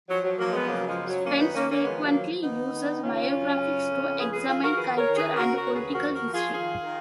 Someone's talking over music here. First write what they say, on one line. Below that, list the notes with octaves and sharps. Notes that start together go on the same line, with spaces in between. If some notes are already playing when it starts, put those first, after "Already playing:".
Spence frequently uses biographies to examine cultural and political history.
F3 F#3
F#3
F3 F#3 A#3
G#3 B3
C#3 F#3 A#3
F3 G#3
F#2
F#3
D#3 A#3 C#4
B3 D#4
D#3 A#3 C#4
A#3 C#4
F3 G#3 B3
F#3 A#3
F3
D#3 B3 D#4
D#3
C#3 C#4 F4
F#2
C#3
F2
F3 G#4 B4
G#4 B4
F3 F4 G#4
F#4 A#4
D#3 G#4 B4
A#4 C#5
D#3
G#4 B4
C#3 F#4 A#4
F#4 A#4
D#2 C#5
G#4 B4
F3 F#4 A#4
F#4 A#4
F3
F4 G#4
D#3 F4 G#4
D#3